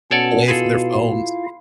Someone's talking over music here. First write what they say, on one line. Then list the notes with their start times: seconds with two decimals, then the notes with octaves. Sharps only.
away from their phones,
0.11 B2 C#4 A4 C#5 D5 F#5 A5
0.48 E4 F4 G#4 A4 F5